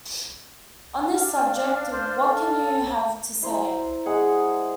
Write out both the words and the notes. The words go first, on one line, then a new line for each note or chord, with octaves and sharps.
On this subject, what can you have to say?
D4 F5 F6
C5
A4
E4 C5 D5 A#5
G#3 G#4 F#5 G#5